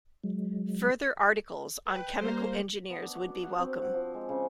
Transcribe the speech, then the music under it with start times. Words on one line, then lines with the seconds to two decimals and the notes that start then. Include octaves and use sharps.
Further articles on chemical engineers would be welcome.
0.24 F#3 G#3
1.90 B4 G5
2.21 G3 A#3 C5
2.90 B3
3.02 D4
3.15 F#4
3.29 D4
3.43 F#5
3.58 C4
3.82 F#5
3.94 F3
4.14 G#3
4.29 C#3